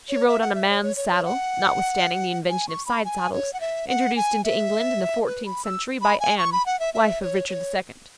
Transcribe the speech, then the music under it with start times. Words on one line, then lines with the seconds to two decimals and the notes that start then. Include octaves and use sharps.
She rode on a man's saddle, notwithstanding the invention of side-saddles, introduced into England in the fourteenth century by Anne, wife of Richard II.
0.09 C#5
0.28 E5
0.41 F#5
0.55 E5
0.70 C#5
0.83 C#5
0.96 C#5
1.10 C#5
1.25 F#5
2.49 G#5
2.69 C#6
2.86 B5
3.05 G#5
3.33 C#5
3.53 F#5
3.61 E5
3.88 F#5
4.16 G#5
4.44 E5
5.27 B4
5.46 B5
5.65 E6
6.01 B5
6.20 G#5
6.38 C#6
6.52 B5
6.66 F#5
6.80 E5
6.94 E5
7.22 C#5
7.49 C#5